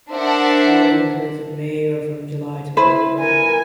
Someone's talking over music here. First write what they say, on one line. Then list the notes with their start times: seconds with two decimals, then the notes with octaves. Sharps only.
Flowering occurs in May or from July to October.
0.11 D4 A#4 C5 E5 F#5 A5
2.77 E4 B4 C5
3.18 A#4 G#5